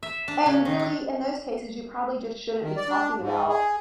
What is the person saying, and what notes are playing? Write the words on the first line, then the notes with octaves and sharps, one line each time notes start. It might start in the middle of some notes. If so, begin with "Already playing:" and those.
and really in those cases, you probably just shouldn't be talking about
E5
D4
C#3
D#3
D4
D#3
D5
D4
G#2
G#4